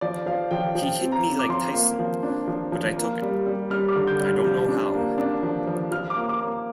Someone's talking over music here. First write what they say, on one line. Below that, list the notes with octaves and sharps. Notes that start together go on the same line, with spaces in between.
He hit me like Tyson, but I took it - I don't know how.
F3 D5
F3 F5
F3 G5
F3 G5
C4
A#5
C4
D6
F3 C6
A#3
F3
D4
F3
F3
A#3
G3
G3
G3 F6
D6
D3
G6
G3
F6
F3 G6
D4
A#3
D4
F3
F3
F3 F6
D6
A#3
D6
A#3